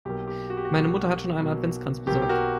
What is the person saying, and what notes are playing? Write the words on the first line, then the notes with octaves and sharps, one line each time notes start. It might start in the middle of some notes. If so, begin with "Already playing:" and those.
Meine Mutter hat schon einen Adventskranz besorgt.
B1 B2 F#3 A#3 G4
G4
F#4
G4
F#4
B1 B2 F#3 A#3
B1 B2 F#3 A#3
B1 B2 F#3 A#3 G4
G4
F#4 A#4